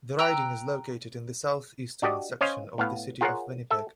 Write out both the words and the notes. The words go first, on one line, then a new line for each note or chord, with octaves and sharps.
The riding is located in the southeastern section of the City of Winnipeg.
G5 A#5 E6 F#6
D4 F#4 G4 D5 D#5
C#4 C5 C#5 D#5 F5
A2 B3 F5
F4 G#4 A#4 C#5 F#5
A4 E5